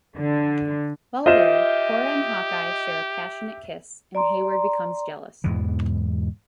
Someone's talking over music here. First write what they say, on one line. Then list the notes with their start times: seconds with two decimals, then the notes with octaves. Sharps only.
While there, Cora and Hawkeye share a passionate kiss, and Heyward becomes jealous.
0.16 D3
1.26 F4 G4 C5 D#5 E5 E7
4.15 D5 A#5 C6
5.44 E2 G#2 B2 E3